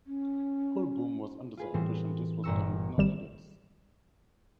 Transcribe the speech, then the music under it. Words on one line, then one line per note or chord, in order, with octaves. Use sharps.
Hoolboom was under the impression this was done with no edits.
C#4
F4 G#4 B4
A2 E3 G3 B3 C4
G1 A#2 A#5 C#6 E6
G#1 G3 E7